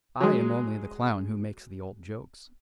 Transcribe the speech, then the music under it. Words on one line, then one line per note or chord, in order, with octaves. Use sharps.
"I am only the clown who makes the old jokes."
F#3 G#3